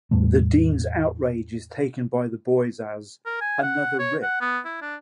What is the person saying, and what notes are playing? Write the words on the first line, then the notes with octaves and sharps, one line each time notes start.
The dean's outrage is taken by the boys as "another rib".
E2 A2 G3 A3
A#4
G#5
F#5
C#5
F#5
B3
E4
D4